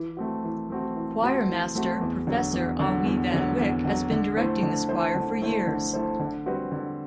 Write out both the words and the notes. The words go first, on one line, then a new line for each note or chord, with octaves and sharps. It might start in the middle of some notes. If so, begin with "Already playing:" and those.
Choir master prof. Awie van Wyk has been directing this choir for years.
Already playing: E3
A3 C4 F#4
E3
A3 C4 F#4
E3
A3 C4 F#4
E3
A3 C4 F#4
E2
D3 F#3
E2
D3 F#3
E2
D3 F#3
E2
D3 F#3
D3
A3 E4 A4 C5
D3
A3 E4 A4 C5
D3
A3 E4 A4 C5
D3
A3 E4 A4 C5
D3
G3 C4 F#4 B4
D3